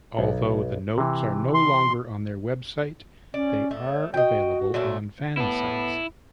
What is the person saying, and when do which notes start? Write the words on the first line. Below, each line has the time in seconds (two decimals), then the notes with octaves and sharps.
Although the notes are no longer on their website, they are available on fansites.
0.19 B1
0.98 C3 E3
1.54 C6
3.34 C#4 D5
3.71 A3
3.86 C#5
4.14 F#4 D#5 G5
4.74 A#2 F#3 A3
5.37 B3 E4 A5